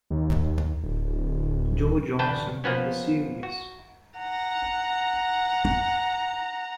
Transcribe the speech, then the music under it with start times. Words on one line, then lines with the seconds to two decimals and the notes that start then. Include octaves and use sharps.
Joe Johnson won the series.
0.10 D#2
0.83 D1
2.19 A1 D2 D4 B4 G5 A5
2.64 F3 A#3 B3 C#4
3.43 F#4
4.18 F#5 A#5